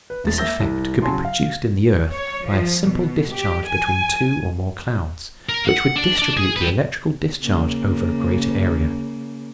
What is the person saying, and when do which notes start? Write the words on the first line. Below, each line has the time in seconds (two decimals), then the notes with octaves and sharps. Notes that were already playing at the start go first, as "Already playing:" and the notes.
This effect could be produced in the earth by a simple discharge between two or more clouds, which would distribute the electrical discharge over a greater area.
0.10 B4
0.24 E1 A6
0.38 A#3 E5 E6 G6 A#6 G7
0.60 C2
1.02 C#3 F#3 G#5 A5 C6
1.25 F5
2.11 C#5
2.46 F3
2.86 B2
3.30 G4
3.66 G#5
5.49 A#4
5.65 F5 F#5
5.96 D4 D5
6.19 D4 D5
6.37 G#4
6.56 G4 B4
7.43 C#3 A#3